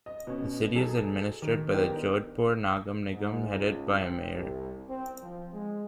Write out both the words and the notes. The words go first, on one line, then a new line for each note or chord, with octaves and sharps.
The city is administered by the Jodhpur Nagar Nigam headed by a mayor.
D#5
B2 C#4
F#3 D#4 G#4 A4
D#3
B3 D4 D#4 G4 A#4 C5
G#2
C#2
C4
C2
C4
F3
G#3